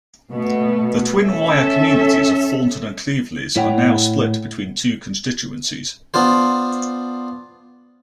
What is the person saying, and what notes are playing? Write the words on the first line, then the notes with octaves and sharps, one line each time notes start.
The twin Wyre communities of Thornton and Cleveleys are now split between two constituencies.
B2 A3 B3
C#4 A4 E5
A2 E4 C#5 F#5 G5
B3 D4 F4 C5